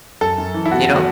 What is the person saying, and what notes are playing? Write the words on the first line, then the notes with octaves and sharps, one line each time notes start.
You know?
F#2 A4
F#2
E3
E4
B3 F#4
F#4